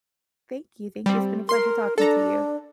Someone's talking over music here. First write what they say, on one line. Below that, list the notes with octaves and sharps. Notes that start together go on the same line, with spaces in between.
Thank you, thank you. It's been a pleasure talking to you.
G3 C4
A#4 C6 C7
D4 A4 A#5